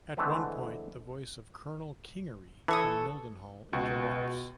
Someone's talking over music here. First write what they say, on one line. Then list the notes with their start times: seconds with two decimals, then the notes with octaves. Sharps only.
At one point the voice of Colonel Kingery from Mildenhall interrupts.
0.17 D3 E3 G#3 A3 B3 C4
2.68 E3 A4 C#5 D#6
3.73 C#2 B2 F#4